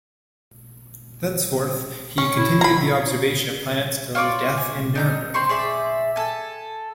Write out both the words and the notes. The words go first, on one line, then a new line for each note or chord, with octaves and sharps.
Thenceforward, he continued the observation of planets till his death in Nuremberg.
C#4 C#6
E4
A#5 B5
F4 C#5 D5 D6
G#5
D#4 A#5 G6
C4 C6 C#6
G#4 D5 E5
A4 G#5